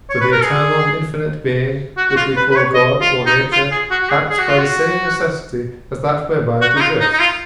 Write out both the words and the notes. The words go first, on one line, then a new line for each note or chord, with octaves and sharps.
For the eternal and infinite Being, which we call God or Nature, acts by the same necessity as that whereby it exists.
C#5
B4
A#4
G#4
F#4
F#4
F4
B4
B4
C#5
D#5
F4
D#4
F4
G#4
F#4
F#4
G#4
G#4
F#4
F4
F#4
F#4
D#4
F4
D#4
D#4
F4